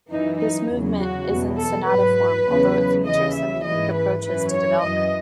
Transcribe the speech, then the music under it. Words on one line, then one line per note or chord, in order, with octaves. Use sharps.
This movement is in sonata form, although it features some unique approaches to development.
F#2 E3 D#4
D#4
E2 C#3 F#3
F#4
E2 B2 F#3
A4
G#2 F#3 B4
E2 C#3 F#3
D#2 C#3 E3 D#5
E5
G#2 E3 D#5
B4
F#2 E3 B4
C#5
F#2 E3 D#5